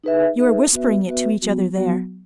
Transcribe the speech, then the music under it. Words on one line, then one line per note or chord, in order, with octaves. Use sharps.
You are whispering it to each other there.
D#4 G#4 B4 E5
D#4 G#4 B4 E5
B3 F#4 B4 E5
B3 F#4 B4 E5
F#3 B3 F#4
F#3 B3 F#4